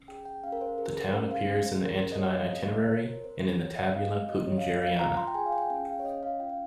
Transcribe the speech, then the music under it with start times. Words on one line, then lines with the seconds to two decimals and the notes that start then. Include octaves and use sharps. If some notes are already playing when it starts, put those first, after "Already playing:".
The town appears in the Antonine Itinerary and in the Tabula Peutingeriana.
Already playing: C#4
0.08 G#4 G5
0.25 G5
0.44 C#4 F5
0.52 A#4
0.61 C5
0.78 G#4 A#4
0.96 A#4
1.13 C#4 C5
1.31 F5
1.48 G#4
1.66 C5
1.84 C#4 A#4
2.01 C5
2.12 D#5
2.19 G4 C#5
2.28 D#5
2.36 F5
2.53 C4 D#5
2.71 C#5
2.84 C#5
2.89 G4 C5
3.07 A#4
3.24 C4 C5
3.41 C5
3.53 C5
3.59 G4 C#5
3.76 D#5
3.94 C4 F5
4.12 D#5
4.29 G4 D#5
4.47 C#5
4.58 F5
4.65 C4 D#5
4.82 F5
4.99 F4 A#5
5.17 C6
5.27 G5
5.34 G#4 G#5
5.46 F5
5.52 G5
5.70 C#4 G5
5.88 F5
5.99 C#5
6.05 C#4 D#5
6.23 F5
6.40 F4 G5
6.49 F5